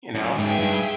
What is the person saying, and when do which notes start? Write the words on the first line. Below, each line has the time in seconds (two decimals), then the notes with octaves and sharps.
you know?
0.14 F#2
0.37 G#2 G#4 B4 E5 G5
0.59 G2